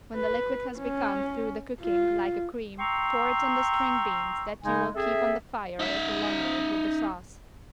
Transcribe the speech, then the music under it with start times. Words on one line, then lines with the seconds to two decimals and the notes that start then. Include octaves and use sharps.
When the liquid has become, through the cooking, like a cream, pour it on the string beans that you will keep on the fire a little longer, with the sauce.
0.15 B4
0.78 C#4
1.82 F4
2.79 G5 A#5 C6 C#6 E6
4.64 C#3 G#3 D#4 G#5
4.95 C4 G#4 A4 E5
5.79 D#4 E5